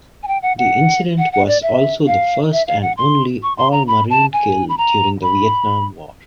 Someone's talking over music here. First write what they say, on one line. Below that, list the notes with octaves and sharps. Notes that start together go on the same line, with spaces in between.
The incident was also the first and only all-Marine kill during the Vietnam War.
G#5
G5
F#5
F#5
F#5
F#5
D5
E5
F5
E5
F5
F#5
C6
C#6
C6
A#5
B5
A5
G#5
B5
A#5
B5